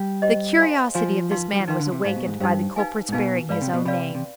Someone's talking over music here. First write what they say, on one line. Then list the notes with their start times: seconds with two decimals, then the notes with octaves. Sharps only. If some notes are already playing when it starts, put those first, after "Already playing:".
The curiosity of this man was awakened by the culprit's bearing his own name.
Already playing: G3
0.22 G4 C5 D#5
0.58 C5 F5 G#5 C6
0.95 F3 C5 F5 G#5 C6
1.31 D#4 B4 F5 C6
1.53 G3
1.60 F3
1.68 D#3 D#4 B4 F5 C6
1.80 D3
1.92 C3
2.04 G#2 D#4 G4 C5 F5
2.16 B2
2.26 G#2
2.40 G2 D#4 G4 C5 F5
2.76 D#4 B4 F5 G#5
3.09 G#2
3.12 B2 D#4 B4 F5 G#5
3.49 G#2 B4 D5 F5 B5
3.61 C3
3.73 B2
3.85 C3 B4 D5 F5 B5
4.15 C3